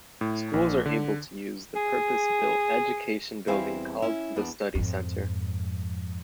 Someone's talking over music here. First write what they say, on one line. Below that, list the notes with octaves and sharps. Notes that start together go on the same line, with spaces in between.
Schools are able to use the purpose-built education building called the Study Centre.
A2
A#1
D3
G#4
E2 G3 C4 E4 F5 G#5
C#4 E4
E2 B3 D4
F2 G#2